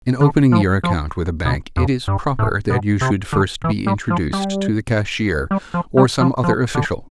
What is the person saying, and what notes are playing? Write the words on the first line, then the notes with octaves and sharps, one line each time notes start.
In opening your account with a bank it is proper that you should first be introduced to the cashier, or some other official.
D3
F3
F3
B2
F2
G2
A2
B2
C3
D3
E3
G3
F3
G3
G3
F3
G3
F3
F3
D3